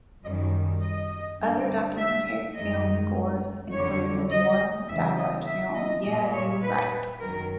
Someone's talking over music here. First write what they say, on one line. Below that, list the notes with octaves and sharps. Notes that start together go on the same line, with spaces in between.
Other documentary film scores include the New Orleans dialect film Yeah You Rite!
F#2 D#3 G3 D#5
D#5
G2 D3 G3
E5
F#2 D#3 G#3 D#5
F2 D3 G3 C#5
D#5
E2 C#3 E3 E5
D#5
E5
D#5
A#2 G3 D#5
C#5
B4
F#2 D#3 F#3 A#4